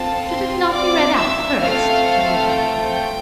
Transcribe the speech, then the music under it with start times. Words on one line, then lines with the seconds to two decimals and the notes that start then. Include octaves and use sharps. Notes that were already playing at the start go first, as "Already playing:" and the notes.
"Should it not be read out, first?" my Lady enquired.
Already playing: C4 F4 A4 A5
0.29 C5 C6
0.72 D5 D6
1.16 E5 E6
1.60 A3 C4 F4 A4 F5 F6
2.48 G5 G6